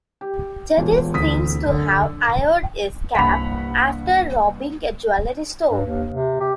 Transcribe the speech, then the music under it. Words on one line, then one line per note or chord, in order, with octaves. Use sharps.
Jadis seems to have "hired" his cab after robbing a jewellery store.
G4
E1 A#2
D2 D3 E3 C4 D#6 B6
F#2 D3
C2 G2 A#3 F5 F#5 B5 B6
G2
D#2
C3
G4